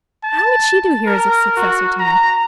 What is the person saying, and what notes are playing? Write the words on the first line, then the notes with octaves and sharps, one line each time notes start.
How would she do here as a successor to me?
A5
A#4
F#4
A#5